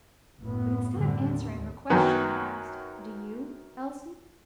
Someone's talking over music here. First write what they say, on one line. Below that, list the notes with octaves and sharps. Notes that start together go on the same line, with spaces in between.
But instead of answering her question, he asked, "Do you, Elsie?"
F#1 A2 B3
F#2 A2 D3 G3 C4
D#2
F#2 D#3 F#3 B3 G5